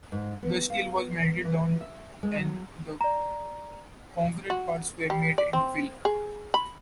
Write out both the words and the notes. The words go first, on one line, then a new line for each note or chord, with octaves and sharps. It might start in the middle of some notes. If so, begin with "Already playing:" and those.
The steel was melted down and the concrete parts were made into fill.
G#2
B3
F5
B3
E3
E5
G#3
F#3
D5 A#5
F#4
G3
D5
C4
G#4
B5